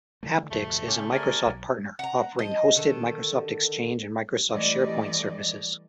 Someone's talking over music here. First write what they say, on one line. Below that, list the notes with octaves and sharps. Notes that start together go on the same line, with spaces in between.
Apptix is a Microsoft partner, offering hosted Microsoft Exchange and Microsoft SharePoint services.
D3 E3 A3
D1 F2 C3 A3
C#3 C#4 G4
A#4 D5 G#5
B1 F#3
F#5 A#5
F3 D#5
D3 D#3 A4
E3 G3 A3 D5 D#5